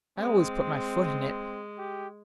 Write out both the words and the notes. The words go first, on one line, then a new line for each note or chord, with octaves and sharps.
I always put my foot in it.
G#3 C4
G4